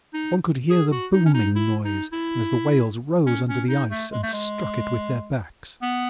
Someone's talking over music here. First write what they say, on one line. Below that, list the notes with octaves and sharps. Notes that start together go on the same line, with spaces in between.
One could hear the 'booming' noise as the whales rose under the ice and struck it with their backs.
D#4
G#4
F#4
D#4
C#4
D#4
E4
D#4
E4
C#4
C#4
D#4
A3
G#3
A3
G#3
B3